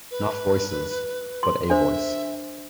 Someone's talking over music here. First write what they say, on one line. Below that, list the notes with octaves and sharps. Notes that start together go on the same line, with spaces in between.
Not voices — but a voice.
B4
C6
D4 C5 E5